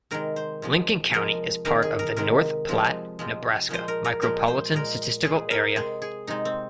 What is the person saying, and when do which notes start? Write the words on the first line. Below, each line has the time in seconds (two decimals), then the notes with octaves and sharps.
Lincoln County is part of the North Platte, Nebraska Micropolitan Statistical Area.
0.11 C3 D#3 G#3 A#4
0.36 C5
0.62 C3 F3 G#3
1.13 C3 F3 G#3 A#4
1.65 C3 D#3 G#3 A#4
1.82 G#4
1.99 A#4
2.17 C3 D#3 G#3 A#4
2.68 C3 F3 G#3
3.19 C3 F3 G#3
3.69 A#2 F3 G#3 C5
3.88 A#4
4.05 A#4
4.22 A#2 F3 G#3 A#4
4.48 C5
4.72 A#2 G#3 A#4
5.24 A#2 G#3 G#4
5.51 A#4
5.76 C3 G#3 G#4
6.02 G#4
6.27 C3 G#3 D#4
6.45 C4